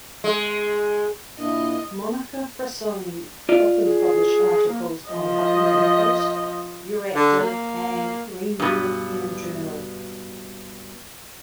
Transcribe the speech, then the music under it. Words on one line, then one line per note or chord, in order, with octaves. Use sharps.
Monica Frassoni often publish articles on Huffington Post, Euractiv and Green European Journal.
G#3
A#2 D4 E4 D#5
F4 D5
G#4
A#3
F3 D#5
D3
A#3
G2 B2